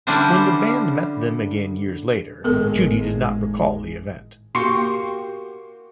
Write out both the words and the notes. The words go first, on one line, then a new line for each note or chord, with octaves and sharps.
When the band met them again years later, Judy did not recall the event.
D3 G3 C#4 D4 E4 C5
G#1 A2 G#3 B3 A4 A#4
A#3 F#4 G4 C6 C#6